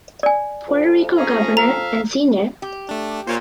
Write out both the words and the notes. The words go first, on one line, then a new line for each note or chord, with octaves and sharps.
Puerto Rico Governor and Sr.
D5 G#5
F2
C#4 G#4 A#5
E5 F5 A#5
G4
A3 D4
A#2 C5 C#5 F5